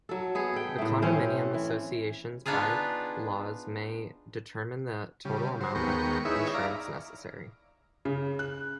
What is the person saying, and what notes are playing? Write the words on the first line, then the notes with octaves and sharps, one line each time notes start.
The condominium association's by-laws may determine the total amount of insurance necessary.
F#3 A4
B3 G#4
A4 G5
A2 A3
C4 C#4 C5
E3
B3 D4 D#4 F4 G#4
C#3 G3
F#3 C5
D#2 G#3 B3 A#4 G5 C#6
D#4 E4 G#4 B4 C#5 E5
D5 F5 A#5
C#3
F#6